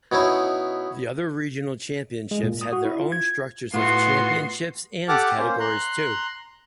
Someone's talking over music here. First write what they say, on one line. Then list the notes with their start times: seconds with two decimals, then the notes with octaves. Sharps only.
The other regional championships had their own structures of championships and categories too.
0.12 B2 C#4 D#4 E4
2.31 G#3
2.43 A#2
2.61 D#6
2.73 F#4
2.85 E4
3.00 F4
3.12 G#6
3.74 A2 B3 F4 F#4 C6
5.09 G4 A4 F#5 A5 D6 F6
5.38 A#3 C#4 C5
5.60 A#5 C6 F#6